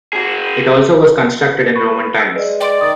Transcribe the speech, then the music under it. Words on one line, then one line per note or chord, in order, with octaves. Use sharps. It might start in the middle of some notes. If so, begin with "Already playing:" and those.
It also was constructed in Roman times.
F#4 G#4
B4 C#6
E6 F6 D7
G#3 B4 D5
D5 G5 C6 D7
D#3 D#6 A6